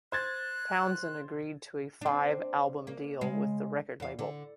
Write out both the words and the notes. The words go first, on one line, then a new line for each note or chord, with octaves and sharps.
Townsend agreed to a five-album deal with the record label.
C5 F#6 G#6 A6
C4 D4
A#3
C#3 G#3 F5
E2 F5
D3